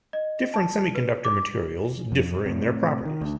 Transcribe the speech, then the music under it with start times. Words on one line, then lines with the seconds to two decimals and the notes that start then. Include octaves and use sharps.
Different semiconductor materials differ in their properties.
0.13 D#5
0.54 A5
0.95 B4
1.25 D6
2.12 F2
2.46 A2 C3
3.05 D#3
3.21 D2